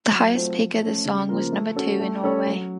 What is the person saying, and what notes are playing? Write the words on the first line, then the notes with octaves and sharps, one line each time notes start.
The highest peak of the song was number two in Norway.
F#3
A3 C4 F4 C5
F3
A3 C#4
C#3
F3 A#3 F4 A#4
A3
C#4 F#4 A4
A3
C#4 A4 C#5
F#3